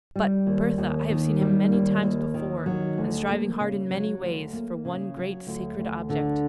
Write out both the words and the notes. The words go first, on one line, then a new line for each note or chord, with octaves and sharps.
But, Bertha, I have seen him many times before, and striving hard in many ways, for one great sacred object.
G3
D#2
D#2
D#3
G3
D#2
D#2
D#3
F#3
D2
A#3
C#3
F#3
D2
A#3
C#3
F#3
D2
D2
D3